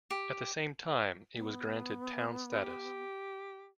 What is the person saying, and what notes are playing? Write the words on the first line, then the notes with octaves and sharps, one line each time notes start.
At the same time, it was granted town status.
G4
B3
G4